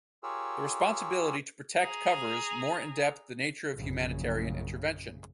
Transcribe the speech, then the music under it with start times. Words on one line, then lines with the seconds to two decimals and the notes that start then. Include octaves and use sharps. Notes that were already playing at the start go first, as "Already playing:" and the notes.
The responsibility to protect covers more in depth the nature of humanitarian intervention.
0.23 F4 G4 G#4 A#4 C#5 E6
1.81 G#4 A#5
3.78 A#1 F#2 C#3